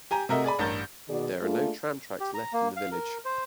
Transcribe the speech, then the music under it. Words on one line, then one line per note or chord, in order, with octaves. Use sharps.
There are no tram tracks left in the village.
G4 G#5 A#5
C3 A3 F#4 A#4 D#5 E5
G#4 D5 G#5 B5
A1 G2 A#4 G6 A6
B2 D#3 F#4 G#4 D5
A3 A#3 D4 F4 G#4 A4
G4
A#5
A#3
F5
A#4
C5